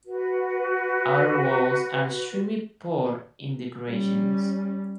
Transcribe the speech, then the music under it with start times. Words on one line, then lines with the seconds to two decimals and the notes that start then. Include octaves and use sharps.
Outer walls are extremely poor in decoration.
0.06 F#4 B4
3.89 G3 C#4